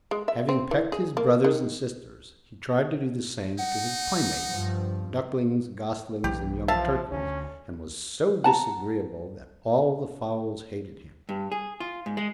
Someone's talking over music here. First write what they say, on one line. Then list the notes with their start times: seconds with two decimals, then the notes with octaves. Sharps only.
Having pecked his brothers and sisters, he tried to do the same to his playmates, the ducklings, goslings, and young turkeys, and was so disagreeable that all the fowls hated him.
0.11 G#3
0.28 E5
0.49 C4
0.71 E3
0.92 G#4
1.17 A#3
1.44 D#3
3.59 D#4 F#5
4.48 G2 F3
6.24 B1 E3 G4
6.68 F3 E5 F5 A5
7.12 D2 D3 C#4
8.44 F#5 A5 A#5
11.29 G2
11.52 G#4
11.80 F4
12.06 G#2
12.17 G#3